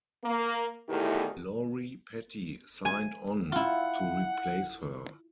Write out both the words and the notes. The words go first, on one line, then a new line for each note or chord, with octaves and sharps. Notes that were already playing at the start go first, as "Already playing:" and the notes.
Lori Petty signed on to replace her.
A#3
E2 B2 D#3 A3 E4 G4
G#5
E4 F4 F#5